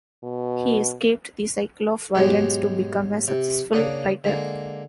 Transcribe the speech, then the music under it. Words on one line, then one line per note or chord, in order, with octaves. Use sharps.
He escaped the cycle of violence to become a successful writer.
B2
G#2 B2 F#3 G#3 G4 B4
C3
C#3 A#3 D4 F#5 D#6
D3 G#3 A#3